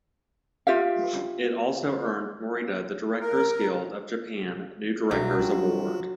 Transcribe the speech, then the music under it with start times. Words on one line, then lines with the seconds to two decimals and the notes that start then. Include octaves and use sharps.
It also earned Morita the Directors Guild of Japan New Directors Award.
0.67 F4 G4 E5 F5
3.20 A#4
5.11 C2 G2 B2 F#3 E5
5.39 F3 F4 F#4